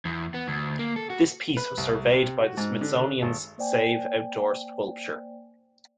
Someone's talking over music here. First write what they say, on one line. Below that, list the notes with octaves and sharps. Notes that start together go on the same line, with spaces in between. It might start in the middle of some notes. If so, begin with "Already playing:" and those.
This piece was surveyed by the Smithsonian's Save Outdoor Sculpture!
E2
B3
D2
A#3
A4
F#4
B4
C2
C3
F#4
G#2
D3
G#1
A#3 C5 D5 G5 G#5